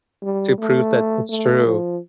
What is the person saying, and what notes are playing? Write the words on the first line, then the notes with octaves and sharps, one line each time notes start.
to prove that it's true."
G3
A3
A3
F3